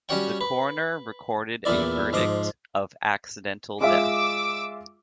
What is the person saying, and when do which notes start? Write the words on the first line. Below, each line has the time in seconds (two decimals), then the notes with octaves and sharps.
The coroner recorded a verdict of accidental death.
0.09 G3 C#4 F#4 C#5 F#5 G5
0.41 B4
1.65 E2 A#2 B3 E4 D5
2.13 G#2 F3 D6 D#6
3.81 G#3 F4 E5 D6 E6